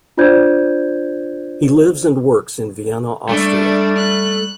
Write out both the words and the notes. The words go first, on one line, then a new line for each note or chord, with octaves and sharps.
He lives and works in Vienna, Austria.
D4 F4 C5 D5 G6 G#6
G3 A3 D4
F#6